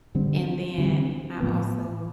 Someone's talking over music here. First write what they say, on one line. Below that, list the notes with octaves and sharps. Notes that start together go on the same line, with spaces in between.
And then I also,
D3 G3 C4
D3 G3 C4
A2 F3 B3